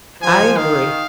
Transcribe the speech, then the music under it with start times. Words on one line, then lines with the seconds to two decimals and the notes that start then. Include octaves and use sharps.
I agree.
0.22 F3 G#5
0.56 D#3 F5